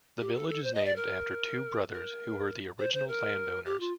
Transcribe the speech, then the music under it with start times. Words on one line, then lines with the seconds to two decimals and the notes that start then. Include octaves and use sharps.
The village is named after two brothers who were the original landowners.
0.21 G4
0.35 A4
0.49 A4
0.64 C5
0.74 D#5
0.85 D5
0.96 A#4
1.93 A#4
2.79 C5
2.94 C5
3.08 A#4
3.66 G4
3.80 F4